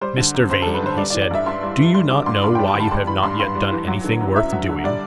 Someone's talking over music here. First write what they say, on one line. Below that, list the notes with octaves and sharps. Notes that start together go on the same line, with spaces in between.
"Mr. Vane," he said, "do you not know why you have not yet done anything worth doing?"
G3 C5
D3
F#2
F#2 C5
A4
G3
B4
D3 C5
G3 D5
D5
E3
D5
G2 E5
G2 C6
G3
E3
G3 C6
D3 D6
G2 C6
G2 B5
G5
G3
A5
D3
B5
G3 C6
E3 B5
G2 C6
G2 C6
G3
E3
F#3
D3
F#2
F#2 E5
F#3
D3
G3 D5